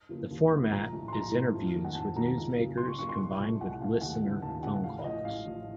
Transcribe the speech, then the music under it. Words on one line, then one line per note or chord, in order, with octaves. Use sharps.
The format is interviews with newsmakers, combined with listener phone calls.
C#3 F3 A#3
D#2
C#3 F3 A#3
A#1 A#5
A2 F3 A3
C6
A#1 A#5
A2 F3 A3
F2
D#3 F#3 A#3
F#5
F2 A5
D#3 F#3 A#3 A#5
C#2
C#3 F#3 A#3
C#2 C6
C#6
C#3 F#3 A#3 C#6
C6
C2 C#6
A#2 A3
C2 F#5
A#2 A3 F5
D#2 F#5
C#3 F3 A3
D#2 A5
C#3 F3 A3 F#5
A1 F5
A2 F3 D#5
A1 F5
A2 F3